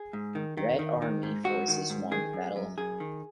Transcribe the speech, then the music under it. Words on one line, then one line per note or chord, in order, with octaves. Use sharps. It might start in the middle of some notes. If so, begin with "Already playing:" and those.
Red Army forces won the battle.
Already playing: G#4
G#2
D#3
D#3
D#3
D#3
G#2
G#2 F#4
D#3
G#2
D#3 G#4
F#2
F#2
F#2 G#4
D#3